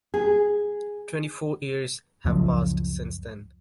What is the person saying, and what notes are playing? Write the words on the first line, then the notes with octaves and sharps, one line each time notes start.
Twenty-four years have passed since then.
G#4
C#2 F#2 F3